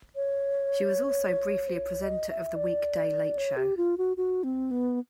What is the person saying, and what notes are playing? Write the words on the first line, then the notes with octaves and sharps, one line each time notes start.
She was also briefly a presenter of the weekday late show.
C#5
C5
C#5
D#5
E5
D5
C#5
G4
F4
F#4
F#4
C4
B3